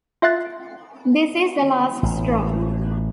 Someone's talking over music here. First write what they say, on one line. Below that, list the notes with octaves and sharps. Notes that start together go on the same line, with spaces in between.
This is the last straw.
F4 E5 F5 F#6 A6
A1